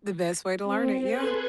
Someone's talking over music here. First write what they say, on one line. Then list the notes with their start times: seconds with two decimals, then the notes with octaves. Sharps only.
The best way to learn it, yeah.
0.63 C4
1.09 G#4 A4 B4 C6 F#6 G#6